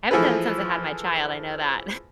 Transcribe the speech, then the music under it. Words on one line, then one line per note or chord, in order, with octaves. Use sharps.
I haven't done it since I had my child I know that.
E3 F3 A3 G#4 B4